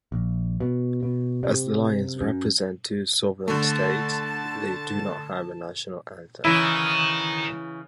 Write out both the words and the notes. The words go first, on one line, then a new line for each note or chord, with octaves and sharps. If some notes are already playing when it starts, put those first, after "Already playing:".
As the Lions represent two sovereign states, they do not have a national anthem.
A#1
B2
B2
C3
F#2
D3 A3 A5
C#3 E3 E4 A#4 D#5